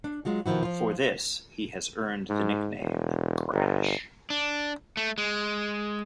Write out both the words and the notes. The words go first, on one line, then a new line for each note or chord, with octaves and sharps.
For this, he has earned the nickname "Crash".
D4
F#3 G#3 F4 F#4
B2 D#3 F3 E4 F#4
F3 F4
G#2
E1
G1
D4
A3
G#3